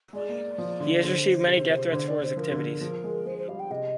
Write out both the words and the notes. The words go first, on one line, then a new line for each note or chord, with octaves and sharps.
He has received many death threats for his activities.
G#3 D5
A#3
F3
D3
D3 C5
C3
C3
D3 C5
D5
C5
F3 A#4
D3
F3
G#3
G#3 C5
C5
G3 F5
G5
C3 D#5